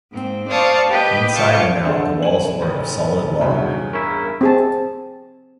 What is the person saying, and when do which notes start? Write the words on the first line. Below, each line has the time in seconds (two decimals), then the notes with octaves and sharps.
Inside and out, the walls were of solid log.
0.10 G#2 A#3 C4
0.47 C5 D5 F5 A5 C#6 D#6
0.88 G4 B4 D#5 G5
1.34 F4 G5 A5 C#6 D6
1.85 D3 F3 D4 A4
2.23 A2 G#5 F#7
2.62 F1
3.41 B1 E2 G2 C#3 F#3
3.93 C#4 E4 A#4
4.41 C4 G#4 A5